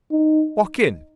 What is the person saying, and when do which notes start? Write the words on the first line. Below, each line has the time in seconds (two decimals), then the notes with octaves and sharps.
Walk in.
0.11 D#4